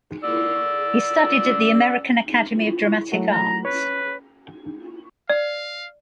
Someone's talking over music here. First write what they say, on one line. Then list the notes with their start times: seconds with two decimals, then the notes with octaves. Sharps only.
He studied at the American Academy of Dramatic Arts.
0.24 D5 E6
3.12 F#3 A3 F#4
3.32 A#5
3.65 B4 C#5
5.30 D5 F5